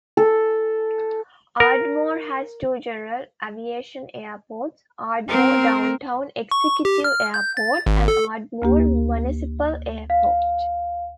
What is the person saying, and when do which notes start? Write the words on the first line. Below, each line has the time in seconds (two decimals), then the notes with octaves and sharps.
Ardmore has two general aviation airports, Ardmore Downtown Executive Airport and Ardmore Municipal Airport.
0.17 A4
1.60 A#4
5.28 C4 A#4
6.51 C#6
6.85 G4
7.04 F6
7.34 G6
7.57 A6
7.86 G#1
8.08 A4
8.62 D2 A#3 G4
10.10 F5